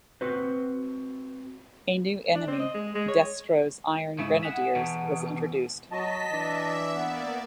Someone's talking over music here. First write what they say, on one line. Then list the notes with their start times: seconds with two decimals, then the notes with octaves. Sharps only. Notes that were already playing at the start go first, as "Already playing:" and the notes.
A new enemy, Destro's Iron Grenadiers, was introduced.
0.21 C4 F#4 B4 C5
2.35 D4
2.47 C4
2.60 D#5
2.74 G#3
2.95 G#3
3.08 C#5
4.19 G#2 C#3 E4 E5
4.43 E5 F#5 G#5 D#6
4.75 E2 B2
5.91 F#3 D#5 A5 B6
6.32 E3 D4 E5
6.95 A#3 B3 D5